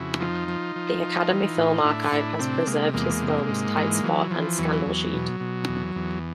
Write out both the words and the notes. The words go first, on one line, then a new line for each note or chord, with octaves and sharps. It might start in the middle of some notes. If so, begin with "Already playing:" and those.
The Academy Film Archive has preserved his films "Tight Spot" and "Scandal Sheet".
Already playing: F2 C#3 E4 F#4
F3 D#4 F4
F3
F3
F3
E3
A2
A2 D4 E4
A2 D4 E4
C3 C4 D4
C3 G#3 A#3
E2 G#3 A#3
C3
G#2
E3
E3 F#3
E3 F3
E2 F#3
E2
B2
B2
E2
E2